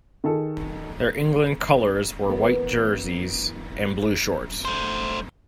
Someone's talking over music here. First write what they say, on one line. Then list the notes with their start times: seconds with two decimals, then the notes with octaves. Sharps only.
Their England colours were white jerseys and blue shorts.
0.24 D#3 G#4 A4
2.29 E3 B3 A#4 B4
4.65 A3 C5